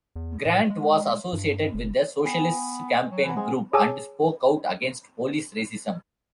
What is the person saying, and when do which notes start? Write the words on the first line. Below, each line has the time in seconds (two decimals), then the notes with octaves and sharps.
Grant was associated with the Socialist Campaign Group, and spoke out against police racism.
0.16 E2
0.46 A2
0.70 G#3
1.33 G2
1.74 F#1
2.21 B3 G5 G#5
3.10 F#3
3.25 E3 F#5 A#5 E6
3.37 G#3 C4 G#4
3.73 G#4 C#5 G#5 A5 D6 E6